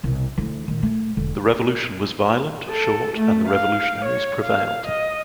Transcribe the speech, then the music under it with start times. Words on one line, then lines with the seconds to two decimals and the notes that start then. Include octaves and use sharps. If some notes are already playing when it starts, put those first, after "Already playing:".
The revolution was violent, short, and the revolutionaries prevailed.
0.03 C2 B2
0.38 D2 E3
0.68 A#2 D#3
0.83 A3
1.17 E1 D3
2.69 A4
3.16 A3
3.48 F5
4.05 C#5
4.44 F5
4.87 D#5